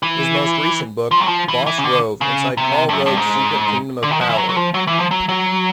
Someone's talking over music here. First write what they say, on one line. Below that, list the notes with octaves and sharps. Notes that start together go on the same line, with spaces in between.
His most recent book "Boss Rove: Inside Karl Rove's Secret Kingdom of Power".
E3
F3
F#3
F3
E3
E3
C#3
D3
C#3
C3
G2
F#2
G2
G#2
D3
D#3
F3
E3
F#3
F#3
F3
F#3
E3
F3
F#3
F#3